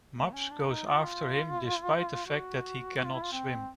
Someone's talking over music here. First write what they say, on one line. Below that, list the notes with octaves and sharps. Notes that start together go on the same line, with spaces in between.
Maps goes after him despite the fact that he cannot swim.
A3
C#4
D4
D#4
F4
F#4
F#4
F4
E4
F4
C4